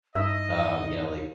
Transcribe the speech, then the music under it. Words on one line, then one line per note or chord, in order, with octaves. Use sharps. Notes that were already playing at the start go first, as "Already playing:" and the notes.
um, you know, like
G2 D#4 D#5 E5